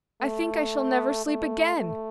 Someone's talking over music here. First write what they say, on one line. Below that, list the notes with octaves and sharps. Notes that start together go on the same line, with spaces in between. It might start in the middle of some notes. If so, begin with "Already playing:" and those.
I think I shall never sleep again.
A3
A3
A3